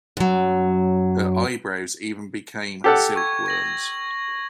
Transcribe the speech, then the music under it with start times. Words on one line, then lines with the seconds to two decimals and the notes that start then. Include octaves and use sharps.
Her eyebrows even became silkworms.
0.17 F#2 F#3
2.84 G4 A4 F#5
3.16 C#6 G#6
3.46 G#6 A#6 F#7